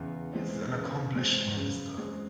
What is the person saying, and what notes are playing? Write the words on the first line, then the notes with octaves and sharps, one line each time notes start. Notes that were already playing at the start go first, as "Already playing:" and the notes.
He is an accomplished minister.
Already playing: E2 C#3
G#3 C4
C#3
G#3 C4
E2
F#2 C#3
G#3 C4